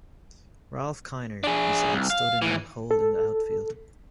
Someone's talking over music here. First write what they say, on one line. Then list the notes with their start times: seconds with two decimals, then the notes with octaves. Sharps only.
Ralph Kiner, he said, stood in a hole in the outfield.
1.44 D4 G#4
1.93 C2
2.10 F5
2.42 D#2 E3
2.91 A4